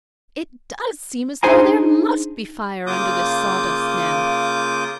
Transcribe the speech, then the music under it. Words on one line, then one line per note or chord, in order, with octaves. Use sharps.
"It does seem as though there must be fire under this sawdust now."
D4 D#4 G#4 C5 G#5 A#5
C#3 A#3 F4 D6 D#6 G6